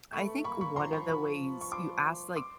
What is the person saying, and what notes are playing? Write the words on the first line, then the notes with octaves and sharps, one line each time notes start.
I think one of the ways you ask, like,
A3 B5 C#6
A#3 B5 C#6
B5 C#6
F3 A#5 C6
B5 C#6
B5 C#6
C#6
C6 D6
C6 D6